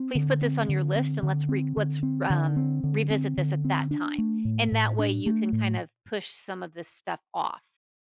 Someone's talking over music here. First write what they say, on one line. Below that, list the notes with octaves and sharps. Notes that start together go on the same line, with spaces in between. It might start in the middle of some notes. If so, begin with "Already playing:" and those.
please put this on your list, and let's re let's, r um, revisit this at that time," and that way, you can kind of push some of this stuff off,
Already playing: C4
D3
C4
D3
C4
D3
C4
D3
C4
D3
C4
D3
C4
D3
C4
D4
A3
A2
A2
D4
A3
A2